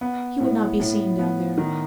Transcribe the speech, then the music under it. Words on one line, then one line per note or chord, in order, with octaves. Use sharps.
He would not be seen down there.
B3
A2
A2
B3
D#3